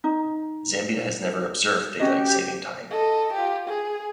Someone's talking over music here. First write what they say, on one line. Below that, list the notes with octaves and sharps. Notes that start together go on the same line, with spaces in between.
Zambia has never observed daylight saving time.
D#4
C#4 F#4 G4 D#5
A4 D#5
F4 G4
G#4